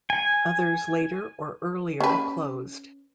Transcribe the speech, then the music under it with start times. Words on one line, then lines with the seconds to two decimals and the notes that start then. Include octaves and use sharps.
Others later or earlier closed.
0.10 G#5
2.00 C#4 B4